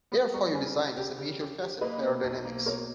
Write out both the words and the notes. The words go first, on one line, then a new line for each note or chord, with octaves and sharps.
Airfoil design is a major facet of aerodynamics.
B3 B5 D#6
G3 A#5 C#6
C#3 G#5 B5
C#3
G4
C#3
G4
G4
A#3 B4 D#5
B2
B1
A#3
B2 A#4 C#5